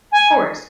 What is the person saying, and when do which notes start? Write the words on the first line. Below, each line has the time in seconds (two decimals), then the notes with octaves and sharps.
Of course.
0.11 G#5